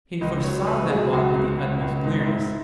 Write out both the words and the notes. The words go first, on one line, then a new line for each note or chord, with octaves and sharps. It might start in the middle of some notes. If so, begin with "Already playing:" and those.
He foresaw that walk with the utmost clearness.
C#2 D#5
F#3 C#5
C#2 B4
F#3 G#4
C#2 F#4
C#2
C#2
C#2
G#2 D#4
G#2 E4